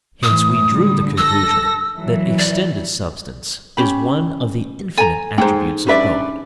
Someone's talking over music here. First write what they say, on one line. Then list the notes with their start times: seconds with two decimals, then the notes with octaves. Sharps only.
Hence we drew the conclusion that extended substance is one of the infinite attributes of God.
0.23 A2 E3 D#6
0.70 D3 G3
1.18 A4 E6 A#6
1.98 E3 F#3
2.38 D5
3.77 C#4 G4 B5
4.98 A4 G#5 A#5
5.38 G#2 D#4 G#4 C5 G5 A#5
5.87 G3 C#4 D4 B4 D5 E5